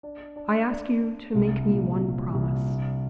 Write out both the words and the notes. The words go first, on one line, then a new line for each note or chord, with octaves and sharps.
I ask you to make me one promise.
D4
D4
D4
D4
C2
A#2
A#2
C2
D4